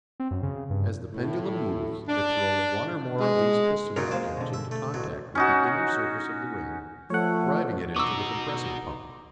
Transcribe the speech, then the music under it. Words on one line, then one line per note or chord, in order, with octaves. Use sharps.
As the pendulum moves it throws one or more of these piston-rod ends into contact with the inner surface of the ring, driving it into the compressing pump.
C4
F#2
C#3
G2
A2
D4
G#3
A#2 C#3 F#3 D#4 G#4 A#4
G#3 A#3 C5 F5
B2 D3
E5
A3
A1 F#3
C#4 D#4 F#4
F3 A3 C#5 F#5
B3 D#4 F#4 C#6 D6 E6